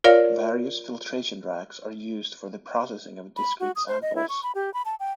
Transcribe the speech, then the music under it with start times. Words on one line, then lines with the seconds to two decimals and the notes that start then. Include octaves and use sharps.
Various filtration racks are used for the processing of discrete samples.
0.04 F4 A#4 C#5 D5 F5
3.36 B5
3.60 F#4
3.76 D#6
3.88 C5
4.02 D#5
4.16 E4
4.29 C#6
4.43 B5
4.55 G4
4.74 B5
4.85 A5
5.00 G5